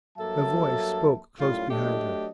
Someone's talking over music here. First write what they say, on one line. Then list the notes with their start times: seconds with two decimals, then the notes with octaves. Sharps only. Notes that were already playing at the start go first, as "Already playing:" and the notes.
A voice spoke close behind her.
0.18 G2 F#3 A#3 A4 E5 A5
1.40 F#2 A2 G3 F4 F5
1.70 F#3 A3 D4 G4 D#5